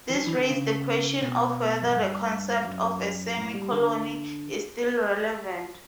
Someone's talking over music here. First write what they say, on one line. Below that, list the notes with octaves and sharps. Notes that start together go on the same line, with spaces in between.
This raised the question of whether the concept of a "semi-colony" is still relevant.
E3
F#3
E3
D3
C#3
B2
F#2
G2
F#2
A2
G3
D3